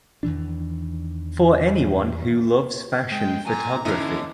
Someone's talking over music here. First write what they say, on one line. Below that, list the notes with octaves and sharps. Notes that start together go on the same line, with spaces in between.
For anyone who loves fashion photography.
E2 D#3 E3 D4
G#3 G5
A#2 G#5 A#5
D3 B3 C#4 D#4 E4 D#5